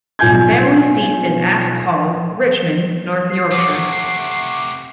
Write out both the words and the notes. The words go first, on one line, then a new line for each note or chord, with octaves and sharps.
The family seat is Aske Hall, Richmond, North Yorkshire.
B1 F4 G#5 G6 G#6
C7
C3 A3 F#5 C#6 D6